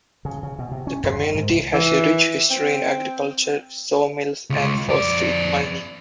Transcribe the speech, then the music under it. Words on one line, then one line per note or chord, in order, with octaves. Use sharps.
The community has a rich history in agriculture, saw mills, and phosphate mining.
C#3
C#3
B2
C3
C#4
F#2
D#3
G#2
C2
E3
C4
C#2
F2 D5